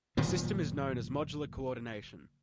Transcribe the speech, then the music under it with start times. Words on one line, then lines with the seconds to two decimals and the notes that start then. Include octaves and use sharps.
This system is known as "modular coordination".
0.17 F#1 A#2 D#3 F3